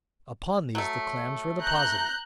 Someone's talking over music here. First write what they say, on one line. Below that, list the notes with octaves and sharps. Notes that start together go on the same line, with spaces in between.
Upon these the clams were deposited.
F#3 A3
A#5 F#6 G6